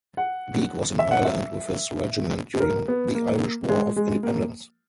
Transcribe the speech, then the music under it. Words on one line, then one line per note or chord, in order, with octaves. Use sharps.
Beak was in Ireland with his regiment during the Irish War of Independence.
F#5
E5
F#5
E5
A#4
B3
A#3
G#3
G#3
A#3